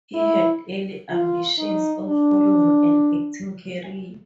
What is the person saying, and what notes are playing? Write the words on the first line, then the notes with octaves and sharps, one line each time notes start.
He had early ambitions of following an acting career.
E4
F4
D#4
D4